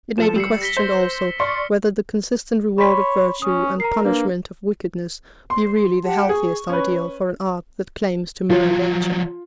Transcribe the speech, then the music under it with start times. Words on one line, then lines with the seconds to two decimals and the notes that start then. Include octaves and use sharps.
It may be questioned, also, whether the consistent reward of virtue and punishment of wickedness be really the healthiest ideal for an art that claims to mirror nature.
0.18 F3 A4 E7
0.36 G3 E6 C7 C#7
0.62 A#6 B6 G7
0.77 C5
1.40 D5 C6 C#6 F6 C#7
2.78 C#5 B5 C6 B6
3.42 C#4 D#6
3.80 A#4 A#5 C7
4.05 A#3 D4 B4
5.50 C5 C6
6.03 G4 F#5 A5
6.29 G#4 C#6
6.69 C#4 B4
8.50 F3 F#3 F4